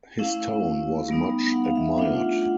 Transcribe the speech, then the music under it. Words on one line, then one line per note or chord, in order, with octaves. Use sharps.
His tone was much admired.
A3 C#4 E4 F5
G3 B3 D#4
F#5
F5
E5
A3 D4 F4 F#5
F#5
F#5